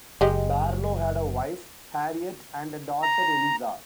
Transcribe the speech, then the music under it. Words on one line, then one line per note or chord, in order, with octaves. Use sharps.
Barlow had a wife, Harriet, and a daughter, Eliza.
F#1 G#3 G4 D#5
A#5